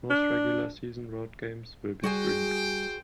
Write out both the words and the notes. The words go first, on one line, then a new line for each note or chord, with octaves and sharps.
Most regular season road games will be streamed.
D4
G3 F#4 G#4 C5 G5 G#5